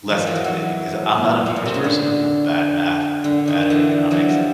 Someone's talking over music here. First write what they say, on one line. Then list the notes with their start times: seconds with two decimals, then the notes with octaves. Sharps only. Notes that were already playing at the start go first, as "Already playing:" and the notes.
less intimidating, 'cause I'm not a numbers person, I'm bad at Math, I'm bad at Economics,
0.09 D#3 F3
0.26 E3 F#3
0.44 E3 F#3
1.46 A#2
1.56 B2
1.65 C3
1.74 C#3
1.84 D3
3.24 D3
3.47 D#3
3.70 D3 E3
4.11 E3 F#3
4.29 F3 G3